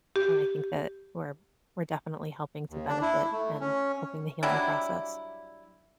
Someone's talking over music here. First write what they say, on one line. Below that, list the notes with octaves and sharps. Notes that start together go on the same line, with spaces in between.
then I think that we're we're definitely helping to benefit and helping the healing process.
G4
D#2
D4
E4
A3
C#4
F#3 G3 D4 E4